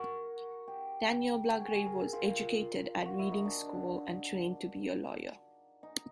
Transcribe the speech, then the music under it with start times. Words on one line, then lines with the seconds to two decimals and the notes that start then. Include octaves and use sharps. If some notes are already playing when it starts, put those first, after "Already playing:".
Daniel Blagrave was educated at Reading School and trained to be a lawyer.
Already playing: F#4 A#4
0.68 G4
1.47 F#4
1.60 G#4
1.86 A#4
2.00 A#4
2.13 F4
2.26 F4
3.05 F#4
3.19 E4
3.31 D#4
3.45 D4
5.83 D#4